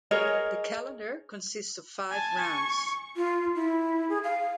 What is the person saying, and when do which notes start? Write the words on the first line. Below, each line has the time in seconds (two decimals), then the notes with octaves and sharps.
The calendar consists of five rounds.
0.11 G#4 A#4 C#5 D#5
2.11 G#5 A5
2.41 C#6
3.16 F4
3.55 E4
4.09 G#4
4.24 F5